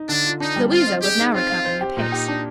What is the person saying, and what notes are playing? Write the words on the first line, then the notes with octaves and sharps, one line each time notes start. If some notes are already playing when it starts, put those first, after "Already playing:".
Louisa was now recovering apace.
Already playing: D#4
D3 D4
F4
D4 D#4
G3
C4 F4
D#5
G4 G#4
D#4
C4 F4
F5
C5
G4
A#2 D#4
G4
D4